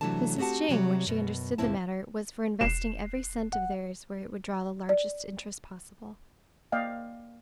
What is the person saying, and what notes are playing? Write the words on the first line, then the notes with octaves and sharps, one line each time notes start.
Mrs. Jane, when she understood the matter, was for investing every cent of theirs where it would draw the largest interest possible.
C3 E3 F#3 A3 D4 A5
C4 F#4 G4 F#5 A5
C3 F#3 G3
F#2 B2
D2 G2 A#2 C4 E4 A5
E1 C7 E7
F#5
D5
A#3 D5 D#5 F5 G5